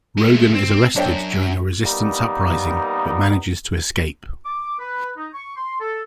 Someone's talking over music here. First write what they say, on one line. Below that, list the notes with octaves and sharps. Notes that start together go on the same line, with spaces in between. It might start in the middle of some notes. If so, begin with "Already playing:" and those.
Rogan is arrested during a resistance uprising, but manages to escape.
G#3 A3
C4
F#2 D4 C#5 G5
G3 A#3 B3 D#4
D6
B4
D#4
C#6
C6
A4